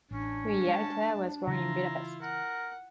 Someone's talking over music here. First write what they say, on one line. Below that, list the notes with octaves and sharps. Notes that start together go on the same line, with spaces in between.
Gyurta was born in Budapest.
A1 C#4 D4
G#3 A5
C#3 E3 E4 F4 A#5
A#4 F#5